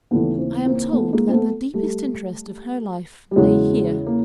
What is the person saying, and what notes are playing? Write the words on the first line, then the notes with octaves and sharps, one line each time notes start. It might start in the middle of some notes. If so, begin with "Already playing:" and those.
I am told that the deepest interest of her life lay here.
D#2 C#3 E3 A3 B3
A#3 C4
A#3 C4
A3 B3
G#3 A#3
C4
A3 B3
G3 A3
G3
E2 C#3 E3 F#3 G#3
A#3